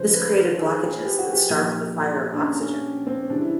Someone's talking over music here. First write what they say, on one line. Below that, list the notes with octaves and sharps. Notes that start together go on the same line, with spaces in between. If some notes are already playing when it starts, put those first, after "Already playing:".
This created blockages that starved the fire of oxygen.
Already playing: C#3 F3 B4 C5
B4
A#4
G#4
G4
F#4
G4
A#2 F3
D4
C#4
C#4
C4
C#3 E3 G3 D4
E4